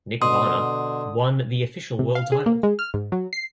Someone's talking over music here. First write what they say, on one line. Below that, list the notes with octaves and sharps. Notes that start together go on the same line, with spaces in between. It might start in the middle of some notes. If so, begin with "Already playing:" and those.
Nick Varner won the "official" world title.
B2 D3 C6 D#6
C3
F5
G#4
A#3
G#3
F6
G#2
F#3
C7